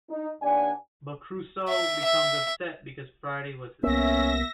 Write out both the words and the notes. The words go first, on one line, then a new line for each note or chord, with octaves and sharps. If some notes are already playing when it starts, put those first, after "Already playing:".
But Crusoe becomes upset because Friday was his friend.
D#4
D#2 D4 D5 F#5 G#5
E5
E5
C2 A#3 B3 C#4 E5 A#6